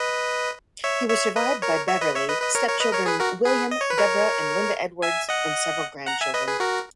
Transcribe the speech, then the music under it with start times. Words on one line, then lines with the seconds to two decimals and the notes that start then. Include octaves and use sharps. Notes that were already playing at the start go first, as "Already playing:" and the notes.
He was survived by Beverly, stepchildren William, Deborah and Linda Edwards, and several grandchildren.
Already playing: B4 D#5
0.84 C#5 E5
1.10 C#5 E5
1.36 B4 D#5
1.62 A#4 C#5
1.88 C#5 E5
2.01 B4 D#5
2.15 C#5 E5
2.28 B4 D#5
2.42 B4 D#5
2.55 A#4 C#5
2.68 A#4 C#5
2.80 B4 D#5
2.93 A#4 C#5
3.06 G#4 B4
3.19 F#4 A#4
3.45 G#4 B4
3.71 D#5
3.81 C#5
3.89 B4
3.98 A#4 C#5
5.02 E5 G#5
5.29 D#5 F#5
6.07 F#5 A#5
6.21 E5 G#5
6.34 B4 D#5
6.48 G#4 B4
6.60 F#4 A#4